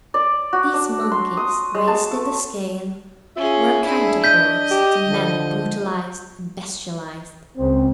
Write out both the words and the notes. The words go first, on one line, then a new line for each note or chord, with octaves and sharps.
These monkeys raised in the scale were a counterpoise to men brutalized and bestialized.
D5
F#4
D4
C6
D#6
G#3
A5
A3
C#4 F4 G#4 E5
D4 E4 G#4
D#5 G6 B6
G4
D3 F3
C#2 C4